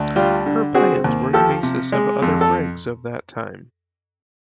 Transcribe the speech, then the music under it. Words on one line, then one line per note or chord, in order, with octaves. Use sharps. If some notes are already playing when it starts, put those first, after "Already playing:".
Her plans were the basis of other brigs of that time.
Already playing: D2
G3 F4 G4
D3
C4 F#4 G#4
D#2
F3 G4 A4
C3
G#3
F2
A4